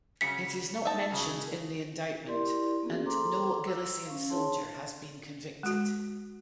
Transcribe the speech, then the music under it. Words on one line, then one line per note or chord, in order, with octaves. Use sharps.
It is not mentioned in the indictment and no Galician soldier has been convicted.
C#3 F#3 G3 B6 C#7
D#4 E5 A5
C#3 F#3 G#3
E4 G4 A#4 D5 C6
A#3 B3 C#4 F#4 G#4
G#4 A4 C5 A#5 C6 D6
E6
C#4 F5
D4 G#4 C#5 A5 C6
G#3 F#4